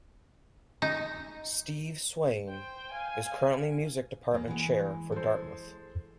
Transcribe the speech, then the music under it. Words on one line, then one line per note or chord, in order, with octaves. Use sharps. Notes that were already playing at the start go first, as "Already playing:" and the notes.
Steve Swayne is currently music department chair for Dartmouth.
D#4
C5 G5
F5 G#5
E2 A#3
E3 G#3
G#3 A4 C5